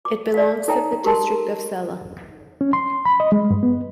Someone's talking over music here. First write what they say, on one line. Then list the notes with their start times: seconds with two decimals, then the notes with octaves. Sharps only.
It belongs to the district of Celle.
0.05 D6
0.34 D5 F5
0.68 D#4 A4 C#5 E5 G5 A#5
1.04 G4 A4 A#4 A5 C6
2.61 C#4
2.73 C6
3.05 B5
3.20 D#5
3.32 G#3
3.50 G2
3.63 B3